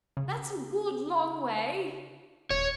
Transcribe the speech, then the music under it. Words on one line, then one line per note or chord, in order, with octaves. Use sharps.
'That's a good long way.
C#3
D#1 C#5